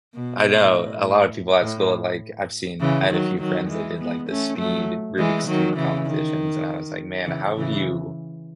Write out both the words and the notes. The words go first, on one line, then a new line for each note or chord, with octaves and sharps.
I know. A lotta people at school, like, I've seen I had a few friends that did, like, the speed Rubik's Cube competitions, and I was like, "Man, how would you
B2
A2
A2
A2
C#3 E3
D#3 F#3
D#3 F#3
E3 G#3
G#3 B3
A3 C#4
F#3 A3
E3 G#3
D#3 F#3
C#3 E3
D#3
C#3 E3
C#3 E3